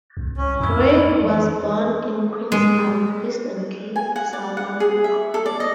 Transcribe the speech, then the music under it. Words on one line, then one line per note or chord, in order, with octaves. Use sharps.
Greig was born in Queenstown, Eastern Cape, South Africa.
C2
C#4
F2 E4
E3
G#3
G#5
F#5
D5
F#5
G#4
E5
A4
D5
D#5